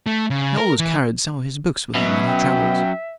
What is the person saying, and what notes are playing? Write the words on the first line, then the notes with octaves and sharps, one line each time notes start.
He always carried some of his books with him when he traveled.
A3
C#3
A#4
E3
F#2 B2 F#3 E5
G5